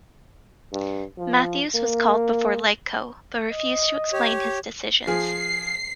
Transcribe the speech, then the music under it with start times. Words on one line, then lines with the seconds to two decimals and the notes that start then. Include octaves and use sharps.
Matthews was called before LegCo but refused to explain his decisions.
0.72 G2
1.18 F3
1.75 A#3
3.49 D#5
4.13 G4 C#5
5.07 F3 G#4 C7